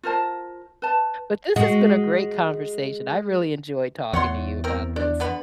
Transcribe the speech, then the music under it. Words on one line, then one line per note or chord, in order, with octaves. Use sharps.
But this has been a great conversation. I really enjoyed talking to you about this.
F4 A#4 C5 A5
B4 A5
G#3 F#4
E2 C#5 F#5 C6
C4 A#4
D4
D3 B3 B4